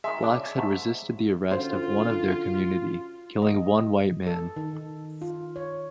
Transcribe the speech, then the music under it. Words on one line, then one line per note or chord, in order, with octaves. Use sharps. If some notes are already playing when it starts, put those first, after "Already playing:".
Blacks had resisted the arrest of one of their community, killing one white man.
D#3 G#3 E5
C#3 D4
G#2 A3
D3 C#4 F4 F#4 C5
D#5
A4
D#3
F4
C#5